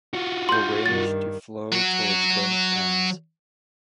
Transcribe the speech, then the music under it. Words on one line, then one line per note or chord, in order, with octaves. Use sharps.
Arranged to flow towards both ends.
F4 F#4
C6 G6
G2 D#3 A6
F#3 F#4